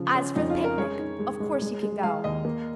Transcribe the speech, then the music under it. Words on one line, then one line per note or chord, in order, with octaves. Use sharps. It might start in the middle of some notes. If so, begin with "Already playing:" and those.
As for the picnic, of course you can go.
Already playing: C#3 F3
C#4
F2 D#4
F4
C#4
A#4
G#3 C#5
D#4
G#3
G#3
G#3
G#3
G#3 F5
D#2 D#5
A#3